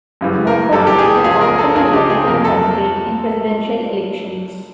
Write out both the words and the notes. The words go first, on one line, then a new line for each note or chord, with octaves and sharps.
Moffat is a powerfully Republican county in Presidential elections.
F#2 C#3 E3 G3
A#4
F#2 C#3 E3 G3 A4
G4
G#4
C#2 C#3 F3 G#4
A#4
A4
C#2 C#3 F3 G#4
G4
G#4
F2 C3 F3 A#4
A4